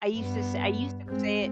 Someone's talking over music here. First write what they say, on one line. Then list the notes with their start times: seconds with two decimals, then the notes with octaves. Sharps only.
I used to s I used to say it.
0.15 G2 B3
1.08 G#3 C4